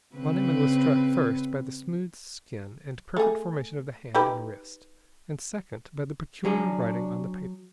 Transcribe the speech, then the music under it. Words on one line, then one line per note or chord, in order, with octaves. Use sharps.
Van Emmon was struck, first, by the smooth skin and perfect formation of the hand and wrist; and, second, by the peculiar writing on the papers.
C#3 C4 B4
A3 G#4
D#4 G4 B4
F#3 D4 G#4